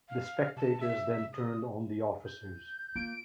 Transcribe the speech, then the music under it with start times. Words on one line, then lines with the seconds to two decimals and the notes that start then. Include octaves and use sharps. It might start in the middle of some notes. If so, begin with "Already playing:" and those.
The spectators then turned on the officers.
0.09 F5
0.57 C3 A5
0.81 E5
1.33 D#6
2.26 G6
2.96 A#3 F4 D7